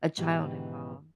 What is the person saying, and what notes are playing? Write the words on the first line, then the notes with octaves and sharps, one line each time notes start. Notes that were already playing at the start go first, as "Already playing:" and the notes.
a child involved.
G#2 B2 D#3 E3 G4